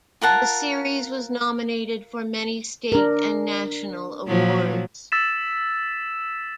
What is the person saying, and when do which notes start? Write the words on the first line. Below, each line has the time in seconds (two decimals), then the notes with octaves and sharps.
The series was nominated for many state and national awards.
0.22 F4 A#4 F#5 A5
2.92 D4 A#4
4.27 A#2 F3 F#3
5.12 E6 A6 B6 E7